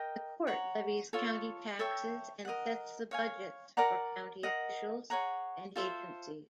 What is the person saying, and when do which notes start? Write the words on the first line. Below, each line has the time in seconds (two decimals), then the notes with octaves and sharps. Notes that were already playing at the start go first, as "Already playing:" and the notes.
The court levies county taxes and sets the budgets for county officials and agencies.
Already playing: A#4 D#5 G5
0.47 C#5 F#5 A#5
1.13 F4 A4 C#5
1.79 A4 C#5 E5 G5
2.45 A#4 D#5 F#5
3.11 C#5 F5 G#5
3.77 A#4 D5 F#5 A#5
4.43 A#4 D#5 F#5
5.10 G#4 C#5 F#5 A#5
5.76 F4 A4 C5 E5